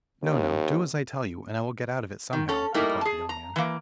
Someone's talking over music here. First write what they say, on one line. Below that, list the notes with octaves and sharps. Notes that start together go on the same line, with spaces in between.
'No, no; do as I tell you, and I will get out of it somehow,' replied the young man.
D#2
D#3
C#4 A4
G3 A3 A#3 D#4 E4 A#4
G#4 A5
A#5
E3 A#3